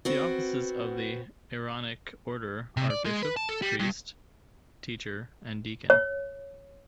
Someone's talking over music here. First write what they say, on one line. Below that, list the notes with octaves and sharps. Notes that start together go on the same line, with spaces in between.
The offices of the Aaronic order are bishop, priest, teacher, and deacon.
B3 C4 F#4
C3
D5
G#3
B4
A5
A4
G3
G2
C#5